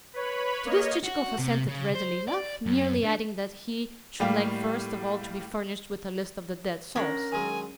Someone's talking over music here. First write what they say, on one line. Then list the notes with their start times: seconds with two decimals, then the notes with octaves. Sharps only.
To this Chichikov assented readily enough--merely adding that he should like first of all to be furnished with a list of the dead souls.
0.14 B4 C#5 B5
0.65 A#3 C#5 D#5
1.04 F#4
1.39 C3
1.68 C#3
1.95 C5
2.28 D5
2.66 F#2
3.03 D3
4.20 A2 G3 A#3 G4 F5
6.96 C#4 D4 A#4 D#5 F#5
7.32 D#3 F#3 G#3 G#5